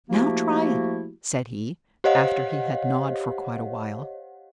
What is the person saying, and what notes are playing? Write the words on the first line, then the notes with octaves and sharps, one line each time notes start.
"Now try it," said he, after he had gnawed for quite a while.
F3 A3 A#3 E4 F#4 G4
G4 C5 C#5 D#5 F5 F#5